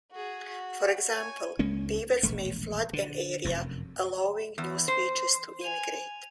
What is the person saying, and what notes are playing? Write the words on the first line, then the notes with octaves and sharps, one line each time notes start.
For example, beavers may flood an area, allowing new species to immigrate.
F#4 G#4
F#4
C#5 G#5
C#2 G#3 A#3 C#4
E1 A#1 A3
D3
F1 F#2
E2
C5
G#5 D#7 F7